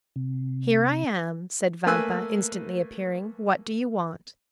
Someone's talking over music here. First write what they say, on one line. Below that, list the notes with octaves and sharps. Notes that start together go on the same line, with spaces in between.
"Here I am," said Vampa, instantly appearing; "what do you want?"
C3
A3 A#3 B4 G#5 E6 F#6